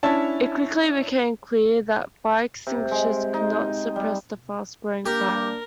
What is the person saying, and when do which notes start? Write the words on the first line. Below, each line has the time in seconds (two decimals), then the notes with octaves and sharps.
It quickly became clear that fire extinguishers could not suppress the fast-growing fire.
0.03 C#4 D4 E4 C#5 A5
2.67 C3
2.91 G#3
3.34 D#4
3.96 G3
5.06 A#3 D4 G4 A#4